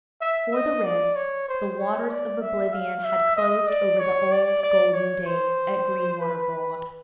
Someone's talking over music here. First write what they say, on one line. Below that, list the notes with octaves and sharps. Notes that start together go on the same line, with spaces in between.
For the rest, the waters of oblivion had closed over the old golden days at Greenwater Broad.
E5
D#5
D5
C#5
C5
C#5
D5
E5
F5
E5
D#5
D5
C#5
D5
D5
C#5
C5
B4